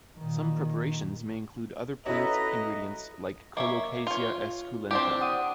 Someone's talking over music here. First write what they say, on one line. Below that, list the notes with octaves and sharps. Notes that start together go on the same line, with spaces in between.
Some preparations may include other plant ingredients like "Colocasia esculenta".
A#2 D#3
C#4 E4 F#4 A4 B4 D#5 A#5
A#3 C#5 D#5 E5 D6
F4 C#5
C4 D4 E4 G4
F#5 D#6 D#7